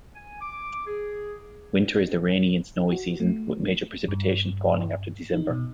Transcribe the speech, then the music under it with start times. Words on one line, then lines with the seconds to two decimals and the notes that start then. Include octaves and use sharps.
Winter is the rainy and snowy season, with major precipitation falling after December.
0.15 G#5
0.41 D6
0.87 G#4
2.91 F#4
3.20 A3
4.08 G2
5.33 D#4
5.50 B2